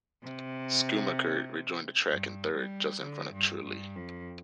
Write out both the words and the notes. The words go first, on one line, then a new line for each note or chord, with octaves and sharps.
Schumacher rejoined the track in third, just in front of Trulli.
C3
G2
G3
D3
G2
G2
F2